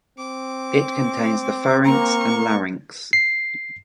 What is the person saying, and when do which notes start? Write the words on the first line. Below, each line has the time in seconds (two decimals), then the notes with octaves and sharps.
It contains the pharynx and larynx.
0.19 C4 D6
1.85 A#3 A#5 C#6
3.13 C7